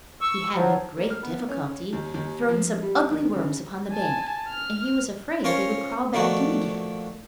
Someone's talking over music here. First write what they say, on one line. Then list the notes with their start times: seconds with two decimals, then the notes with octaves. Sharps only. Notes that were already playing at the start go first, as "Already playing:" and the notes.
He had, with great difficulty, thrown some ugly worms upon the bank and he was afraid they would crawl back in again.
0.21 C#6 E6
0.54 F3 F#3
0.97 A#3
1.10 F6
1.23 B3
1.49 C#4
1.93 D#2
2.14 D#2
2.49 F3
2.82 G3
3.11 D#3
3.32 C#3
3.92 G#5 A5
4.49 F6
5.44 C#4 F4 A#4 C5 C#5
6.14 A#2 D#3 F3 A3 A#3 F#4